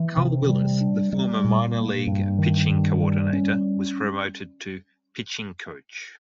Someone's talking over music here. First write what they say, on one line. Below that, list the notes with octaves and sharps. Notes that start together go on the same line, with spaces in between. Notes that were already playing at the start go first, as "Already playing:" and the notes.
Carl Willis, the former Minor League pitching coordinator, was promoted to pitching coach.
Already playing: E3
C3
G3
D4
G3
A#2
A#3
G2
D#3
G2
G3
C#4